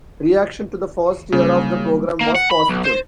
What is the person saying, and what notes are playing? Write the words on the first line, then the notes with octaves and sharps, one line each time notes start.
Reaction to the first year of the program was positive.
C#3 F#3 G3 A#3
A#3
F#5
B5
B1
C5